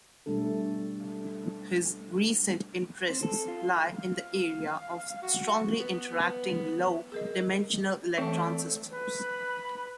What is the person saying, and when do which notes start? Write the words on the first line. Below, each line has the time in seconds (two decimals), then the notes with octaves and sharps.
His recent interests lie in the area of strongly interacting low-dimensional electron systems.
0.26 B2 G3 A3 D4 A4
3.10 C4
3.23 A4
3.48 F4
3.97 F5
5.23 F#4
5.80 B3
7.12 G#4 A#4 D#5
8.18 E3 A3 C4 C#5 A5
8.91 B4
9.21 B5